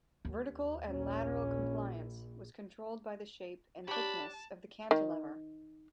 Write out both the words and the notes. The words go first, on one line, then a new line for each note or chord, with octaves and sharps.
Vertical and lateral compliance was controlled by the shape and thickness of the cantilever.
D#2
A#1 C#4
F#3 D4 G4 A5 B5
D#3